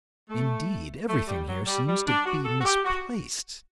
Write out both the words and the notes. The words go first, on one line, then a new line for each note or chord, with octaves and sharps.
Indeed, everything here seems to be misplaced.
A3
A3
G3
F#3
G3
G3
D4
F#4
A4
F#4
G4
F#4